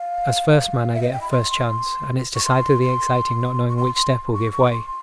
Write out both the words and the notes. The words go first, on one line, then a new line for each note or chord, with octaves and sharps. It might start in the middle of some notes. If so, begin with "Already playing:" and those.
As first man I get first chance, and it's decidedly exciting not knowing which step will give way.
Already playing: F5
E5
D#5
G5
B5
C6
C6
C#6
C6
C6
C#6
C6
C6
C#6
C#6
C6